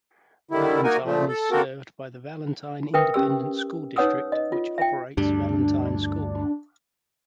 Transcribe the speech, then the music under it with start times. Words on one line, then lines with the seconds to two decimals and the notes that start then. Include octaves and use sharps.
Valentine is served by the Valentine Independent School District which operates Valentine School.
0.51 D3 D#3 G3 E4
0.84 A#3 D#4 F#4 A#4 G#5
1.04 A#2 F3 A3
1.28 A4
1.51 A#3 C4 F#4 A4 A#4
2.94 A#4 B4 E5 G5 D#6
3.14 C#4 G4 E6
3.96 D#4 B4 C#5 F#5 D#6 E6
4.32 D#5
4.52 F4
4.78 E5 G5
5.17 D2 G2 G3 D4